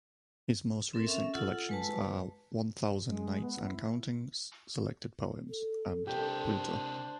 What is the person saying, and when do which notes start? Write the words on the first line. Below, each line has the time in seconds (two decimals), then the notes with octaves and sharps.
His most recent collections are "One Thousand Nights and Counting: Selected Poems" and "Pluto".
0.93 C4 A4 A#4
1.07 C#4 E5
1.34 F4 A4 F#5 E6
1.69 G#3 B4 A5
3.07 G#3
3.41 B3
3.61 E4
5.49 A4
6.07 C3 D4 G4 A#4 C5 G6